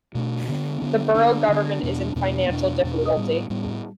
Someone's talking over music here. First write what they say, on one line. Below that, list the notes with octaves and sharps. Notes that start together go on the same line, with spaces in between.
The borough government is in financial difficulty.
B2 A3 D4
D3 B3 D4
D3 B3 D4
D3 B3 D4
D3 B3 D4
E2 B2 B3 D4
E2 B2 B3 D4
E2 B2 B3 D4
E2 B2 B3 D4
A2 G3 B3
A2 G3 B3